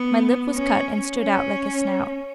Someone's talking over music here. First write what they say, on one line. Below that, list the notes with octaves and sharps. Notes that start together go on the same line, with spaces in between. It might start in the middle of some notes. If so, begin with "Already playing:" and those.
My lip was cut and stood out like a snout.
Already playing: B3
C#4
C#4